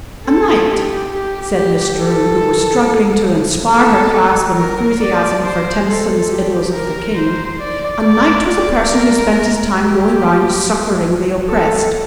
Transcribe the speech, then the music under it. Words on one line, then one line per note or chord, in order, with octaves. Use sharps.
"A knight," said Miss Drew, who was struggling to inspire her class with enthusiasm for Tennyson's "Idylls of the King," "a knight was a person who spent his time going round succouring the oppressed."
A4
G4
G4
G4
A4
A4
A#4
D5
C5
A4
G4
A#4
C5
D5
D5
D5
A#4
G4
A4